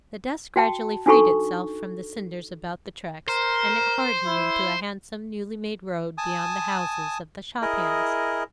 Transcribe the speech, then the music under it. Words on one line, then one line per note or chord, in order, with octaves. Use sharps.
The dust gradually freed itself from the cinders about the tracks, and it hardened into a handsome, newly made road beyond the houses of the shop hands.
F#4 G5 A5
D4 D#4 F#4 A4 B5 C#6
A#4 C5
E4
G#5 A5 D#6
E4 G#4 A#4 D#5